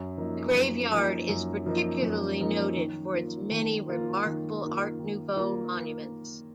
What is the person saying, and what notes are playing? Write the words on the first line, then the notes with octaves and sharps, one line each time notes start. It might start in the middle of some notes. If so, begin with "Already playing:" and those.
The graveyard is particularly noted for its many remarkable art nouveau monuments.
Already playing: F#2
F3 A#3 D#4
F#2
F3 A#3 D#4
F#2
F3 A#3 D#4
F#2
F3 A#3 D#4
D#3
A#3 F4
D#3
A#3 F4
D#3
A#3 F4
D#3
A#3 F4